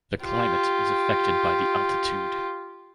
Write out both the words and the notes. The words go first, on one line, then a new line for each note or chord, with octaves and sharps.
The climate is affected by the altitude.
F4 G4